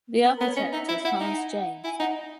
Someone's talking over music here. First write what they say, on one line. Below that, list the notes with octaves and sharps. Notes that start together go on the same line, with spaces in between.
The architect was Hans James.
B3
A#4
B3
C#5
C#4 D#5
D#4 E5
E4 E5
E4 F#5
D#4 G#5
F#5
E4 G#5
D#4 F#5
D#5